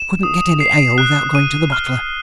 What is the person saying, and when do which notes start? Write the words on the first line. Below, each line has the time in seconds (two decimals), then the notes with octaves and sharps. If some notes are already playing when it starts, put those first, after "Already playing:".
I couldn't get any ale without going to the butler.
Already playing: E7
0.23 D#6
0.60 C7
0.98 F#6
1.35 D#7
1.72 F6